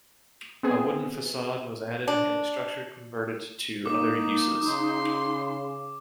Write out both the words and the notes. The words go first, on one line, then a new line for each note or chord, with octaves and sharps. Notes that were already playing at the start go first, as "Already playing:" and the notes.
A wooden facade was added and the structure converted to other uses.
B3 C4 G#4
D4
A#3 D#4 D6
C#3 C6